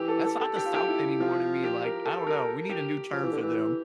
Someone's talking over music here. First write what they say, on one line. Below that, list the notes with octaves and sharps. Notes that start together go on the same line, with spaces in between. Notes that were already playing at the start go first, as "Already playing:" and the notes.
That's not the South anymore to me. Like, I don't know. We need a new term for them.
Already playing: E3 G4
A4
A4
A4
G4
F4
G4
E4
F3 F4
G4
A#4
A4
A#4
G4
F3
E3
D3
E3